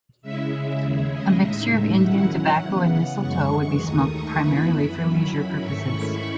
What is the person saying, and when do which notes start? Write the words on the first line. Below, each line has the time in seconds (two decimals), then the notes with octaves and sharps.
A mixture of Indian tobacco and mistletoe would be smoked primarily for leisure purposes.
0.22 C#3 G#3 C#4 E4 E5
0.82 D#2 C#3 G#3 C#4 E4 G#4
1.12 D#5
1.42 A2 G#3 D#4 E5
1.72 E5
2.01 D#3 F#3 C#4 E4 F#5
2.61 C#3 E3 B3
3.21 F#2 E3 G#3 C#6
3.81 D#2 D#3 A3 D#4 D#6
4.11 C#6
4.41 F#2 E3 B3 E4 B5
4.71 B5
5.01 D#3 F#3 C#4 E4
5.61 G#2 D#3 A3 C#4 E4 C#6
5.91 B5